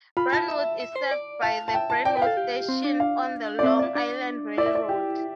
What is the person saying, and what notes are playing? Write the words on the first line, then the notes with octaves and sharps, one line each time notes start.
Brentwood is served by the Brentwood station on the Long Island Rail Road.
F4 B5
F4 A5
E5
E5
C5
D5
F5 A5
A5
E5 G5
A5
D5 G5
B4 G5
A4 F5
G4
C4
D4
F5
D5
C4 E5
D5
D4
E4 D5
E5
D5
G4